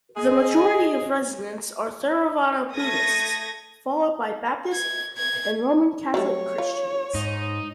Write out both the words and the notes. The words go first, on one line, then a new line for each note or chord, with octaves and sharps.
The majority of residents are Theravada Buddhists, followed by Baptist and Roman Catholic Christians.
G#4 D#5
A3 D#6 G#6 A#6
G#6
G#6
F#3 G3 A3 C#5
F4
G#2 D#4